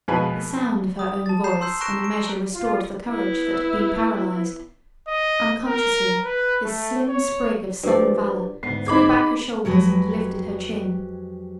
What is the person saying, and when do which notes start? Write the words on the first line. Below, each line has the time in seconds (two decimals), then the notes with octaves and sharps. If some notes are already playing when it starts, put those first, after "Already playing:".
The sound of her own voice in a measure restored the courage that had been paralyzed. Unconsciously this slim sprig of southern valor threw back her shoulders and lifted her chin.
0.08 F2 B2 G#3 B4 G#5
0.99 D#6
1.26 A5 A6
1.44 A#5 G6 C7 E7
1.61 C6 E6 G6 C7
1.81 A#5 C#6 F#6 A#6 D7 E7
2.04 D7
2.55 F4
3.07 B3 E4
5.08 D#5
5.66 A#4
6.24 B4
6.65 A3
7.08 C#5
7.83 G2 F3 D5
8.63 D2 G#2 B3 C7
8.87 D#4 G#4 B5 D6 G#6
9.65 F2 F#3 G#3 G4 B4